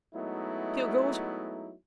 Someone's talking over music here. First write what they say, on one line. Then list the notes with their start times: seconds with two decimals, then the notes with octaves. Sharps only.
'Here goes!
0.14 F#3 G#3 A3 B3 D#4 E4